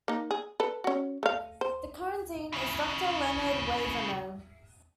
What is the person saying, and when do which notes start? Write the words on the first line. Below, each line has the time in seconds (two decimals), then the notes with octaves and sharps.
The current dean is Doctor Leonard Waverman.
0.08 A#3 D#4
0.31 G#4
0.60 A4 B4
0.84 C#4 F#4
1.23 A3 F5
1.61 C5
2.53 C#3 E4